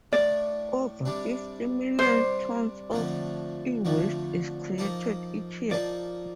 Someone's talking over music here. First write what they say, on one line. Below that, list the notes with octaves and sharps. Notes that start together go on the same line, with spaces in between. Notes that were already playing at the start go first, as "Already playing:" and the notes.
Over fifty million tons of e-waste is created each year.
A2 A3 D4 D5
C3 G3 D4
C3 G3 D4 C5
F2 D3 F3 A3
F2 D3 F3 A3
F3 A#3 D#4 A4
F3 A#3 D#4 A4 D5